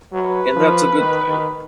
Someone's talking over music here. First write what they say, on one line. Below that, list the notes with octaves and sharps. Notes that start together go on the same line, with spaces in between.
And that's a good thing.
F#3 B4
F3
D#3
D#3